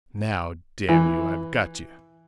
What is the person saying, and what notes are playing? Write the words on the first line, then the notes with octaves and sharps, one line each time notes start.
"Now, damn you, I've got you!"
E3